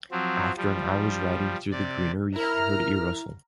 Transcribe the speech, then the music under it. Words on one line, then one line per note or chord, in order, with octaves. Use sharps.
After an hour's riding through the greenery, he heard a rustle.
F3 F#3 C4
F3 G3
C3 D5
E4 A#4 A#5 F6